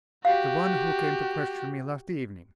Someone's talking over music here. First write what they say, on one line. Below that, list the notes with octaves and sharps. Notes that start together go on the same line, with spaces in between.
"The one who came to question me last evening."
F#4 G4 F5